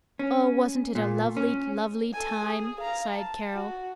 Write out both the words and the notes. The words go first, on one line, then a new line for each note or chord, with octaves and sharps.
"Oh, wasn't it a lovely, lovely time," sighed Carol.
C#4
A#2
C#4
A4 G#5
G#4
F5 A#5
A5
F#4